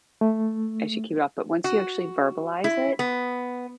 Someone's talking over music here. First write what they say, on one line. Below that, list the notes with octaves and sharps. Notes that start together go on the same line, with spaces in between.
I should keep it up, but once you actually verbalize it,
A3
F#4
E4
B3